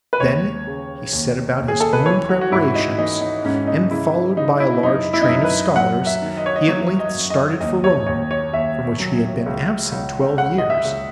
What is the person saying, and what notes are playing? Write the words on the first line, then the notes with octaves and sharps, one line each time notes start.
Then he set about his own preparations, and, followed by a large train of scholars, he at length started for Rome, from which he had been absent twelve years.
B4
D#2 C#5
C#3
D#2
D#2
G#4
A4
B4
E3 C#5
F#4
F#4
G#2 E4
D#4
E3 D#4
D#4
G#2 C#4
D#4
C#3 E4
C#3 D#4
E4
F#2 D#4
E4
D#4
F#2 E4
B4
F#3 F#5
E5
D#3
D#5
C#5
D#5
F#3 C#5
D#5
F#2
D#5
D#2 D#5
C#5
D#2 C#5
C#5
D#2 E5
F#3
C#2
C#2
C#2 F#5
D#5
E5
C#2